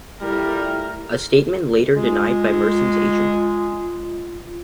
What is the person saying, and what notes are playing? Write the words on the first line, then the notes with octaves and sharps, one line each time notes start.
A statement later denied by Merson's agent.
G3 A3 E4 F4 G4 A#4
G#3 F4